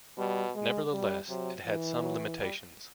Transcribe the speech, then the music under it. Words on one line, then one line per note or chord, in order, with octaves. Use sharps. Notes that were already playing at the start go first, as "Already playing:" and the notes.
Nevertheless, it had some limitations.
B2 G3
G#3
G3
C3 F#3
E3
F#3
G3